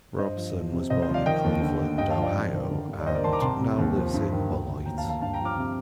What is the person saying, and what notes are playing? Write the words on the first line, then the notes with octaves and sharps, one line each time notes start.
Robson was born in Cleveland, Ohio and now lives in Beloit.
G2 C5 D#5
F3
F3
C3
C2 C5 D#5
C5 D#5
F3
D5 F5
D#3 D#5 G5
D#2
D3
D#2
G2 D#5 G5
F5 A5
F3
D5 F5
F2
D#3
D3
G2
D5
D#2 C5 D#5
A#4 D5
D#3 A5 C6
A#5 D6
C2 A5 C6
C3
D#2
F3
G2
D#3
D2
D2
D#2 G5 A#5
F5 A5
D#2
F5 A5
G2 F5 A5
G5 A#5
F3
D6 F6
C3